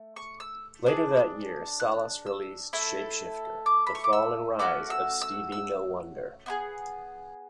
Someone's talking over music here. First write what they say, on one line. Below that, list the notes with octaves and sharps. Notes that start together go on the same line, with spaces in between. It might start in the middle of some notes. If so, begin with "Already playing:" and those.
Later that year Salas released "Shapeshifter: The Fall and Rise of Stevie No-Wonder".
Already playing: A3
C#6
E6
D4 G#4
F#6
E6
A3 E4 A4
D6
B5
C#6
D6
E6
A3 C#4 F#4 D6
E6
E6
E6
B3 E4 G#4